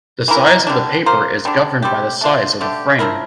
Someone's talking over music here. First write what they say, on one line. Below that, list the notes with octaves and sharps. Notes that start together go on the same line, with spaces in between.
The size of the paper is governed by the size of the frame.
E3 A#3 E4 A#4
D3 G3 D4
A#3 F4 C5
D3 G3 D4
G3 C4 G4
A3 D4 F4 C5
D3 A3 D4 G4
F3 A#3 E4 A#4